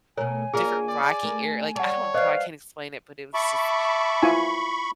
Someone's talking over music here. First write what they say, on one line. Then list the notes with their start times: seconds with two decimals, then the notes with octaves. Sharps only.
different rocky ar like, I don't know how I can explain it, but it was just
0.17 B2 A3 A#4 C#5 G#5
0.54 A#3 D4 F4 G#4 A#4
0.89 D5
1.23 A3 A#4
1.76 G3 C#5 F#5 A5
2.14 B4 C5 D5 D#5 F5
3.34 E5 A5 B5 C#6 D6
4.22 E4 F4 G#5